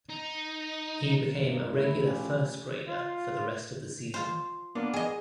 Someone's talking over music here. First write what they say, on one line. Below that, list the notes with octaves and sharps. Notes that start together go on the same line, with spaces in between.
He became a regular first-grader for the rest of the season.
D#4
G2 D#3 A#3 D#4
A3 E4
F3 C#4 G4
F4
F4 C5
A#3 B3 D4
G#4 D#5